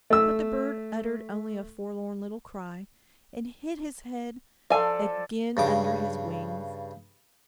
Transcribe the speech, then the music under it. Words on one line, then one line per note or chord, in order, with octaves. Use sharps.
But the bird uttered only a forlorn little cry, and hid his head again under his wings.
A3 E6
F3 A4 D5 F5 G#5
G2 C#3 D6